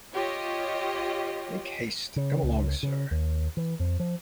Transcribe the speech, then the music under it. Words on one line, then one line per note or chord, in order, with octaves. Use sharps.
Make haste. Come along, Sir.
F4 G4 C#5 D#5
C#3
C#2
C#3
D#2
E3
F2
F3